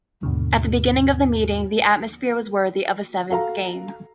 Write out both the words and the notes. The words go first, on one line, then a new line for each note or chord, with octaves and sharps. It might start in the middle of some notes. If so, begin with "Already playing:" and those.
At the beginning of the meeting the atmosphere was worthy of a seventh game.
D#2 G#2 B2 D3
F#4 A4 F5 A#5